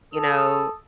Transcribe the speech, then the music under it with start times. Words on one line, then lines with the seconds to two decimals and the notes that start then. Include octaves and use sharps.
you know,
0.14 A4 D#6